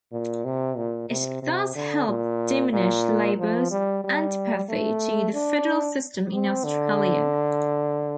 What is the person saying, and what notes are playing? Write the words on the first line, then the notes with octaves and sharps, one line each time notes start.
It thus helped diminish Labor's antipathy to the federal system in Australia.
A#2
C3
A#2
C3
C3
D3
A#2
A#2
F3
G3
G3
A3
D4
C4
D3